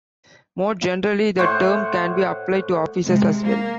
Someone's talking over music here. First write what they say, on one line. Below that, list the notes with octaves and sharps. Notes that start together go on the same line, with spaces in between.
More generally, the term can be applied to officers as well.
A2 C5 F#5 C#6
C3 G#3
A#3